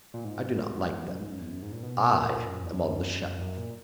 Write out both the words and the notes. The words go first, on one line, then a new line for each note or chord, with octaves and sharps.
I do not like them. I am on the shelf.
A#2
G#2
E2
F#2
G#2
F#2
E2
F#2
G#2
A#2
B2
B2
A#2
F#2
E2
F#2
E2
F#2
A#2